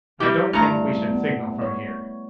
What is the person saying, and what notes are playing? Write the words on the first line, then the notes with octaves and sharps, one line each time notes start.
"I don't think we should signal from here."
G3 E4 G4
G2 G3 A3 A#5
B3
C#5